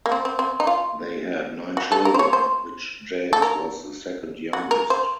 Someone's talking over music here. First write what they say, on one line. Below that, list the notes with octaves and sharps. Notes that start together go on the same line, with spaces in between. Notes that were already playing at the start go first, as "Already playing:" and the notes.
They had nine children of which James was the second youngest.
A#3
C4
C4
C4
D#4
F4
F#4
A4
A#4
C5
C#5
C5
A4
A#4
F#4
A#4
C5